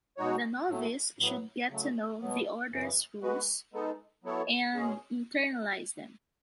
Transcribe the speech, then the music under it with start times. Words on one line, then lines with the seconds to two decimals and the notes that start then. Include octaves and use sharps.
The novice should get to know the order’s rules and internalize them.
0.17 B2 G#3 D#4 F#4 C#5
0.69 A2 F#3 A3
1.19 A2 F#3 B3
1.70 C#3 F#3 A3
2.21 B2 F#3 B3
2.72 F#2 C#3 E3
3.22 G#3 B3 F#4 B4
3.73 G#3 B3 D#4 A4
4.24 F#3 B3 E4 A4 C#5
4.75 B2 G#3 C#4 G#4